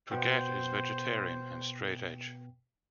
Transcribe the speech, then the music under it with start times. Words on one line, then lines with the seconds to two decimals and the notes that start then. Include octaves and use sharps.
Puget is vegetarian and straight edge.
0.11 B2 B3 C5 G5